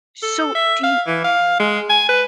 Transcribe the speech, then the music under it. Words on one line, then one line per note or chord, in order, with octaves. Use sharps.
So, do you
A4
E5
F5
E3
F5
G#3
G#5
B4